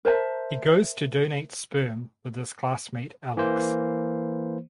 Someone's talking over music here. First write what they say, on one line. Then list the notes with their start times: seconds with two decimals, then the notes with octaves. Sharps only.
He goes to donate sperm with his classmate Alex.
0.05 A#4 C5 E5 A5
3.37 E3 A#3 C5